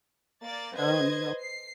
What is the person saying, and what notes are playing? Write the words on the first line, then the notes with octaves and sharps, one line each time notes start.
Oh, no.
A#3 D5 A6
B4 C5 D#5 G#6
C7